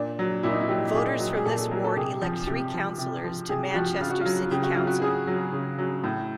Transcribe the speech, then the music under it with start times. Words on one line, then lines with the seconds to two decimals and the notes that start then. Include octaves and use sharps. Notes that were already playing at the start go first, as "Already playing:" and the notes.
Voters from this ward elect three councillors to Manchester City Council.
Already playing: A#2 D4
0.19 F#3
0.43 A#2 E4
0.51 D#4
0.60 E4
0.69 F#3 G4
0.94 A#2 G#4
1.20 F#3
1.37 G#4
1.45 A#2 A4
1.59 A4
1.71 F#3 A#4
1.84 A4
1.97 C3 G#4
2.21 F3
2.47 C3 G4
2.74 F3
2.98 C3
3.24 F3
3.49 C3 G#4
3.71 G4
3.74 F3 F#4
4.00 C#3 F4
4.10 F#4
4.21 F#3 F4
4.51 C#3 G4
4.63 F#4
4.74 F#3 F4
4.87 F#4
5.02 C#3 G#4
5.27 F#3
5.53 C#3
5.78 F#3
6.04 A2